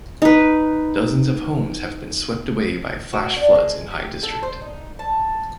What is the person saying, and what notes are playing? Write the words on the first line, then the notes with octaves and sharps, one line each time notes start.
Dozens of homes have been swept away by flash floods in Hai District.
D#4 B4
F#4
D4
G#3
G4
A4
C5
D#4
A5